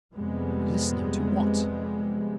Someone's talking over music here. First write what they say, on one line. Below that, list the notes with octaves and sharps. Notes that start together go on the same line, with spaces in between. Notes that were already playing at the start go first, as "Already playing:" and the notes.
Listening to what?
F2 C3 G3 G#3 B3